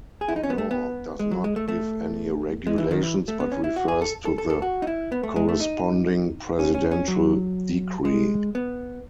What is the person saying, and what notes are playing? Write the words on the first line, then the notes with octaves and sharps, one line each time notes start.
The law does not give any regulations, but refers to the corresponding Presidential Decree.
G#4
E4
D#4
C#4
B3
A3
B3
G#3
F#3
G#3
A3
A3
G#3
E3
D#3
E3
A3
B3
C#4
E4
F#4
G#4
A4
A4
A4
A4
F#4
D#4
E4
B3
A3
G#3
A3
D#4
C#4
C#4
C#4
F#3
G#3
B3